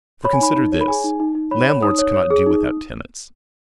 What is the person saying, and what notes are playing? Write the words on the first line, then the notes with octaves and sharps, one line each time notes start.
For, consider this: landlords cannot do without tenants.
C#5 B5
G#5
D#4 B5
D#4
C#5
B5
G#4 G#5
D#4
D#4
D#4
C#5 B5
C#5
D#4 D#6
C#5
C#5
G#4
D#4